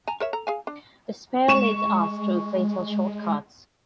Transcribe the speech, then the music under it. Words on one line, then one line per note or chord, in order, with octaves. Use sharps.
Despair leads us through fatal shortcuts.
G#5 A#5
A#4 C#5 E5
A4 A#5
G#4 F5 G#5
D4
G#3 C#6 E7